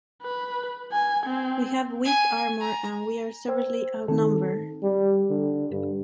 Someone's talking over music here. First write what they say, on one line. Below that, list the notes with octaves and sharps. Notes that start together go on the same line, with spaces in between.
We have weak armor and we're severely outnumbered.
B4
G#5
C4
G#5
A#5
C5 G5 E6 G#6
D#3 C4 D#4 A4
G3
D3
G2